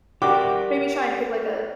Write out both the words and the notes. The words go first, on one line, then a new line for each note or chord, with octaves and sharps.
maybe try and pick, like, a
F#4 G4 A#4 D5 G5 D6